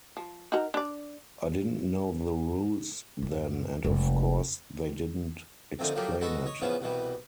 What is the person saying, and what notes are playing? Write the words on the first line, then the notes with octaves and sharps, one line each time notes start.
I didn't know the rules then, and of course they didn't explain it.
F3
D#4 F#4 A#4
D4 D5
F#2
F1 G#3
D3 D#3 F3 A3 C4
F3 F#3 A3 A#3 G4
G#3 F#4 A4 B4 D#5 F#5
C#5 D#5
C#3 E3 F3 B3 C#4 G#4
C2 B2 E3 G3